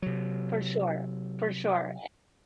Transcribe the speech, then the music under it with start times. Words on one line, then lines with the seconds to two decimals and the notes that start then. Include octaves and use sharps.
For sure, for sure.
0.02 C3 F#3